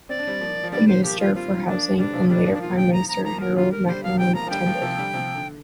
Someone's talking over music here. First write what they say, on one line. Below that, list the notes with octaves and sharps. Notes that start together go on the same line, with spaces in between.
The Minister for Housing and later Prime Minister, Harold Macmillan, attended.
C4 D5
D4
G3 C4
F3 A#3
F3
D3 G3 D5
C5
F3 A#3 G4
F4
G3 C4 F4
F3 A#3 D4
D3 G3 D4
C3 F3
D3 G3 D4
F3 A#3
D4
F4
G5
A#5
A#5
F3 A#3 A#5
A#4
D3 G3 F4
A#4
D3 G3 C5
F3 A#3 F5
G3 C4 G5
F3 A#3 A#5
F3
D3 G3 G5
F3 A#3
C3 F3
D3 G3
C3 F3
D3